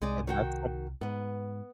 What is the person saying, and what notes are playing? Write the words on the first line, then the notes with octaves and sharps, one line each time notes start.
and that's some
C2 G#3 D#4 D5
D#3 F#4 G5
G#2 B3 B4